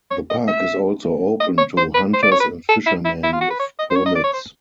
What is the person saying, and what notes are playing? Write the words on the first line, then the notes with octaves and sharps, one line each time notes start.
The park is also open to hunters and fishermen with permits.
C#5
D#5
E5
D#5
C#5
C5
B4
C5
D5
C#5
B4
A4
E4
E4
E4
F4
F#4
B4
C#5
D#5
C5
C#5
D#5
D5
C#5
C5